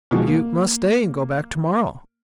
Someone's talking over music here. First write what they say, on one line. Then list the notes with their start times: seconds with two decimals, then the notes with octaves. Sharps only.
You must stay and go back to-morrow.
0.11 B2 D#3 F3 G#3 F#4
0.27 A#3